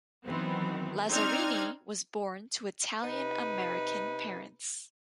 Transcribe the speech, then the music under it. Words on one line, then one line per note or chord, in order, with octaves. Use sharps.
Lazzarini was born to Italian American parents.
D#3 E3 F#3 B3 C4
C4 D4 D#4 F6 G#6
C3 D#4 B4